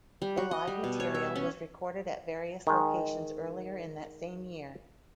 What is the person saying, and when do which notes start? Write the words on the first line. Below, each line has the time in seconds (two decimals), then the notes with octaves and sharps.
The live material was recorded at various locations earlier in that same year.
0.22 G3
0.37 F#4
0.51 D#5
0.67 G3
0.84 B2
1.00 C#5
1.14 E5
1.36 C#4
2.67 D#3 G#3